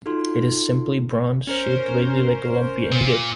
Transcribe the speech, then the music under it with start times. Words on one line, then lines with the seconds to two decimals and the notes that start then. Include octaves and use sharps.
It is, simply, bronze, shaped vaguely like a lumpy ingot.
0.06 D#4 F4 F#4 A4 C6
1.47 C#4 A#4 C5
2.92 A#2